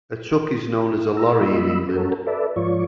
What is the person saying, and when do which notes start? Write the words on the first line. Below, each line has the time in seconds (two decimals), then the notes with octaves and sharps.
A truck is known as a lorry in England.
1.17 A#5 E6
1.41 G3 A#3 F4 D#5 B5 E6
1.88 C#4 F#4 A4 A#4
2.27 A4 B4 D5 E5
2.56 G#2 F3 F4 C#5 D5 C#6